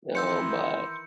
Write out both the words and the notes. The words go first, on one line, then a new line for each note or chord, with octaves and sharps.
Oh, my,
D#3 E3 C6 E6 G6 C#7